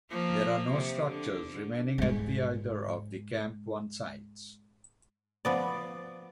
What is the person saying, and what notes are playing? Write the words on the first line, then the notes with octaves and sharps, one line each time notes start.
There are no structures remaining at either of the Camp One sites.
F3 A#3
C3
D3
G#2 G#3
F3 B3 D5